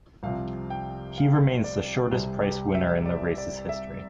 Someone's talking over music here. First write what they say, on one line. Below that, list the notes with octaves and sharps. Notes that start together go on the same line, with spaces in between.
He remains the shortest-priced winner in the race's history.
C2 C3 F3 F5
G5
F5
D5
C2 C3 G3
G4
E5
D5
D5
E5